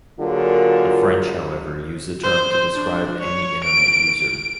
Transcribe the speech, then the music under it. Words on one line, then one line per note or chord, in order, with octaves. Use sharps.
The French, however, use the term to describe any Internet user.
D3 F#3 A#3 F4 G#4 A#4
C5
D4
C#5
D7
D7